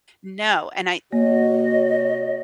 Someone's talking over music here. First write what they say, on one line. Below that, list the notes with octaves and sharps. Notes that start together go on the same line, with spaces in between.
No, and I
C3 A#3 F#4 C#5 D#5